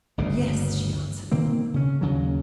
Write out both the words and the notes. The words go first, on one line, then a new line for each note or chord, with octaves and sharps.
"Yes," she answered.
G1 D2 G2 C#3
B2 D#3 A#3 C4
C#3 C#4
D#2 C#3 F#3